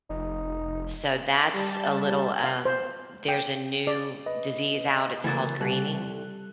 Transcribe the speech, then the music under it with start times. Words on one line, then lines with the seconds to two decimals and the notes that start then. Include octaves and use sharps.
So, that's a little, um there's a new disease out. It's called greening
0.10 F1 D#4
1.53 G3 A5
2.44 F5
2.65 C5
3.28 G5
3.87 D5
4.26 B4 D#5
5.24 C#3 E3 F#3 A3 A#3 A#5 A6
5.61 C2 G3 A4 F#6